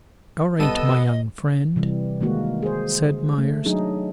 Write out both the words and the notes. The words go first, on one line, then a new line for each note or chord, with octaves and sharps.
"All right, my young friend," said Myerst.
G#1 G3 B3 A4 D#5 A5 E6 D#7
C3 E3 G3
D#3 G#3 A#3 F#4
G#4 C5
A3
F#3 D4 D#4 G#4